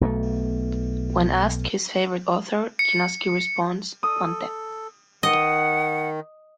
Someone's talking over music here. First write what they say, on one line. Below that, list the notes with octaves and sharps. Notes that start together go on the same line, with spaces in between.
When asked his favorite author, Chinaski responds, Fante.
B1 B2 F#3 A3
C#7
A4 D#6
D#3 D#5 F#5